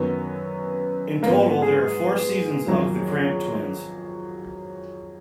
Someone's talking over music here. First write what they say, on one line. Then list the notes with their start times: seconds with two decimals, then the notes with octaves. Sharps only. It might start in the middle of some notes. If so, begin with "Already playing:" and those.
In total there are four seasons of "The Cramp Twins".
Already playing: F#2 D#3 F#3 B3
1.23 A#3
1.27 G#2 F3 B3
1.62 G#4
2.67 F2 D#3 F#3